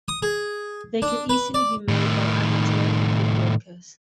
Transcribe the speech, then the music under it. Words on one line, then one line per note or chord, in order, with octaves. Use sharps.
They could easily be made by amateur metalworkers.
D#6
G#4
D4
B4
D5
A2 D#3